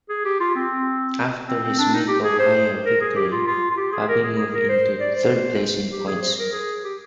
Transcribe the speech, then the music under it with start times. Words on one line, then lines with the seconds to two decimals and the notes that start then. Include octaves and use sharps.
After his Mid-Ohio victory Fabi moved into third place in points.
0.09 G#4
0.25 G4
0.40 F4
0.56 C4
1.48 C4
1.63 C4
1.78 D4
1.94 D#4
2.08 G4
2.24 G#4
2.39 C5
2.86 A#4
3.01 G#4
3.16 G4
3.32 F4
3.47 F4
3.71 F4
3.77 G4
3.93 G#4
4.09 A#4
4.23 G#4
4.38 G#4
4.54 A#4
4.69 C5
5.00 D5
5.16 C5
5.91 G4
6.07 G#4
6.22 C5
6.38 A#4
6.53 G#4
6.84 G4